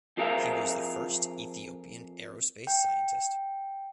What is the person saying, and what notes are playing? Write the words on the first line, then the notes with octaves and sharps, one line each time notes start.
He was the first Ethiopian Aerospace scientist.
F2 F4 G#4 A#4 E5 F5
G5